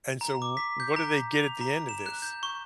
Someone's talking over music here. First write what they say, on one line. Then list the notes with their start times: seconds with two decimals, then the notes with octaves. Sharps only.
and so w what do they get at the end of this?
0.21 A#5
0.42 D6
0.57 B6
0.80 G6
0.96 A#5
1.33 F7
1.61 A#5
1.89 E7
2.06 F#6
2.22 G6
2.43 C#6